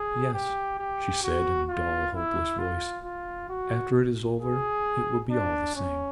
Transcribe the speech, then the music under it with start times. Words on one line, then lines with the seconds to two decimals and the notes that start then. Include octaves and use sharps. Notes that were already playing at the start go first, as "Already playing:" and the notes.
"Yes," she said in a dull, hopeless voice, "after it is over it will be all the same."
Already playing: G#4
0.33 G4
0.79 G4
1.23 F#4
1.69 F4
2.14 E4
2.58 F4
3.04 F4
3.49 F#4
4.39 G#4
5.30 D4
5.75 C#4